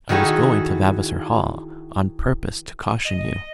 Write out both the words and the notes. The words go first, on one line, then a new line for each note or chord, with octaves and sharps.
"I was going to Vavasor Hall, on purpose to caution you."
D#3 E3 F#4 G#4 A4
D#5